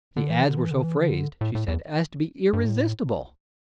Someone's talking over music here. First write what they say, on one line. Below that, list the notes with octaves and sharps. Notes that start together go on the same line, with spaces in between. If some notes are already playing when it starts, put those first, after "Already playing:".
The ads were so phrased, she said, as to be irresistible.
D3
E3
D3
E3
D3
E3
D3
A2
A2
E2
G2
A2